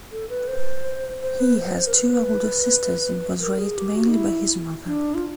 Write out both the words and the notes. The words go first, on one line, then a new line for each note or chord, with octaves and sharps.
He has two older sisters, and was raised mainly by his mother.
A4
B4
C5
C5
B4
C5
C5
A#4
B4
A#4
G#4
G4
F#4
D#4
E4
D4
F4